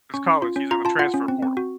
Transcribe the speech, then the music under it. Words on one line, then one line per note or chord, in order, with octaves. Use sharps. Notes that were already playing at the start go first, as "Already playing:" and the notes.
“this college; he's in the transfer portal."
C#4 C#6
C#4
F4
C#4
F4 A#5
F4 A5
F4 F#5
C#4
C4
C4
F#4